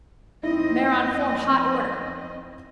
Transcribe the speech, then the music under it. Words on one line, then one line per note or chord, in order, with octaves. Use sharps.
Mare on form hot order.
F2 C4 D#4 E4 D#5